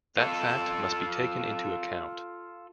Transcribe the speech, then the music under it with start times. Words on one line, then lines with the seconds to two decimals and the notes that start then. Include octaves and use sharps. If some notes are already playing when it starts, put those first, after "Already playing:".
That fact must be taken into account.
0.18 F4 A4